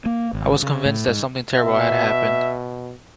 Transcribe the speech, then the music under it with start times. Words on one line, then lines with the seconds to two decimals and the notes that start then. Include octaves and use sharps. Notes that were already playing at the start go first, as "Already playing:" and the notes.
I was convinced that something terrible had happened.
0.06 A#3
0.33 G#1
0.63 C#3
0.86 A2
1.08 G#2
1.55 B2 E5